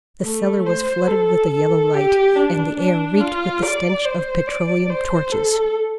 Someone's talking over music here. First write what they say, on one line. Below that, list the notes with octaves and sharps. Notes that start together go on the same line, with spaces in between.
The cellar was flooded with a yellow light, and the air reeked with the stench of petroleum torches.
A3
C5
A4
A4
G4
D4
D4
F4
D5
C5
D5
C5
A4